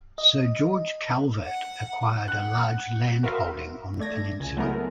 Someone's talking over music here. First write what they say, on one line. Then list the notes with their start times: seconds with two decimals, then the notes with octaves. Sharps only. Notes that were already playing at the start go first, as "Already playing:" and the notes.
Sir George Calvert acquired a large land holding on the peninsula.
0.18 D#5
1.45 F#5
2.28 F#5 F#6
3.23 F#4 A#4 B4 E5 F5 C6
3.99 A3 D5 G#6 A#6
4.40 C#2 G#5
4.57 F#3 G#3 A3 B3 E4 A#4